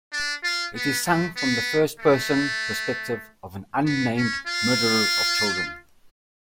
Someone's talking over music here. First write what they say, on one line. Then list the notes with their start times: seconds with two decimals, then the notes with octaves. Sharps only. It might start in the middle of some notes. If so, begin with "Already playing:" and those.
It is sung from the first person perspective of an unnamed murderer of children.
0.12 D4
0.43 F4
0.75 B3
1.05 A3
1.36 B3
2.00 A3
3.85 B3
4.16 C#4
4.47 F4